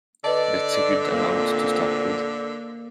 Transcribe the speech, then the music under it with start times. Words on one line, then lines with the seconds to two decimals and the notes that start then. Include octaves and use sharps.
That's a good amount to start with.
0.24 D3 B4 D5 D#5 A5
1.13 D2 A#2 A#3 C4